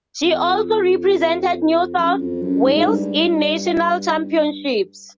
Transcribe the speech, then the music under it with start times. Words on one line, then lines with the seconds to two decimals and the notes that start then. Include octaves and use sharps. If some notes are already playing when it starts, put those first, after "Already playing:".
She also represented New South Wales in National Championships.
0.23 F2
1.98 F#2
2.19 F2
2.42 F#2
2.64 G#2
2.76 G#2
2.85 G2